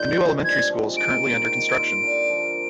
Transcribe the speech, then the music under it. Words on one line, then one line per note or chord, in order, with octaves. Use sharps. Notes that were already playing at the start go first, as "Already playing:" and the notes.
A new elementary school is currently under construction.
Already playing: G2 D#3 A#3 F4 G6
F3 G#3 C4
G2 G#6
F3 G#3 C4
D#3 D7
A#3 F4 C5
D#3
A#3 F4 C5
D3
F3 A#3